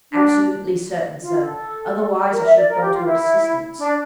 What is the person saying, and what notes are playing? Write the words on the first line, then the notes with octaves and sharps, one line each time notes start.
"Absolutely certain, sir, otherwise I should have gone to her assistance."
D4
F4
A4
A#4
E5
D5
A#4
G4
F4
E4
D4